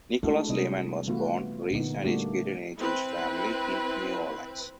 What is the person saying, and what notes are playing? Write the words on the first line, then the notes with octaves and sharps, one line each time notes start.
Nicholas Lemann was born, raised, and educated in a Jewish family in New Orleans.
G#3 A3 D4 E4 F#4 A4
C3 G3 G#3 C4 D4 D#5
E3 A3 B3 F4 F#4 B4
A#2 D3 B3 D#4
G3 A3 A#3 D4 F#4 G4
C4 E4 B4